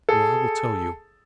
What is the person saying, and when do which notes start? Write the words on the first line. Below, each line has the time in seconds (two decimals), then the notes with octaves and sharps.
Well, I will tell you.
0.09 G#4 A4